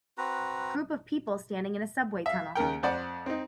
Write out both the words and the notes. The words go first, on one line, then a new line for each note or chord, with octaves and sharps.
Group of people standing in a subway tunnel.
C4 F#4 B4 A#5
E5 F5
D#2 C#3 A#4 G5
F2 C5 D5 F#5
C4 D#4